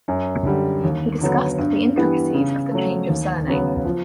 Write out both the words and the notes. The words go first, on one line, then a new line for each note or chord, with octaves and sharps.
He discussed the intricacies of the change of surname.
F#2
D3 G3
D#2
D3 F#3 B3
G2
E3 G3 B3
C#3
F#3 A3
D#2
C#3 F#3 B3
F3